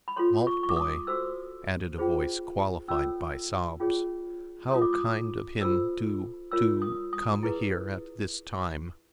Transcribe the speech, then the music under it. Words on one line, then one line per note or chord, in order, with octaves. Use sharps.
Maltboy!" added a voice, qualified by sobs. "How kind of him--to--to come here at this time!
B5
F4 A4 C#5 C6
C#6
C#6
D6
D#6
F#4 A4 C5 E6
C#4 F4 G#4 C5
C#4 F4 A4 C#5 E6
C#4 F4 G#4 C#5
F4 A4 C#5 D#6
D6
D#6
F4 A4 C5 E6
F4 A#4 C#5 E6
D#6
D#6
E4 G#4 B4